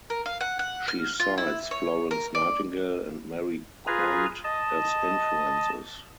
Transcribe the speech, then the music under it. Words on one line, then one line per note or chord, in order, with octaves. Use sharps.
She cites Florence Nightingale and Mary Quant as influences.
A#4
F5
F#5
F#5
F6
F4
E4
C#5
A#4
D5
F4 G#4 B4 G#5 A#5
D#5 A5